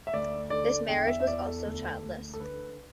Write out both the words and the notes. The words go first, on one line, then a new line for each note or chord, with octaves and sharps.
This marriage was also childless.
E5
D2 D5
D3 D5
E2 G5
E5
E5
E2 D5
A4
D2
D2
A4
D3 B4